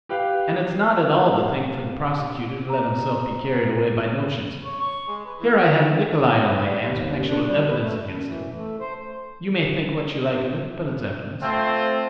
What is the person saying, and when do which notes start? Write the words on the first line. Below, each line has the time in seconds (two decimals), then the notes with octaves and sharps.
And it's not at all the thing for the prosecutor to let himself be carried away by notions: here I have Nikolay on my hands with actual evidence against him--you may think what you like of it, but it's evidence.
0.09 G4 B4 F5 G5
2.70 A#5
4.65 C#5
4.81 C#6
5.08 G#3
5.25 B4
5.39 E3
6.44 B4
6.63 G3
6.86 D#2
7.17 F#2
7.28 D4
7.46 G3
7.68 B4
7.81 A3
8.01 F#2
8.26 E3
8.55 A3
8.80 C5
11.41 A3 C4 F4 C5